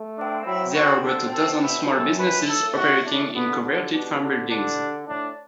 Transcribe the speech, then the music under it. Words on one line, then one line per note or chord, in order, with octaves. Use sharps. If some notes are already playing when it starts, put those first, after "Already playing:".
There are about a dozen small businesses operating in converted farm buildings.
Already playing: A3
D4
F#3 E4
D3 F#4
A4
B2 A4
E4
F#2 A4
B4
A2 A4
F#4
D4
D3 B3
D3
B2 D4
D3 D4
D3 D4
A2 D4